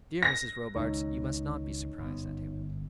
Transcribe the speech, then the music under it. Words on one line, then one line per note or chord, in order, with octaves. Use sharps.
Dear Mrs. Robarts, you must not be surprised at him.
A#6
C#2 D#3 D#4 C#5
G1 F#2 B3